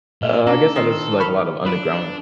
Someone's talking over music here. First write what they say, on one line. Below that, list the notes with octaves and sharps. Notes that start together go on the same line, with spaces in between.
Uh, I guess I listen to, like, a lot of underground
A#2
A#3 C#4 D4 A4
D#3 C4 C5
B5 C#6 F6
D4 F4 B4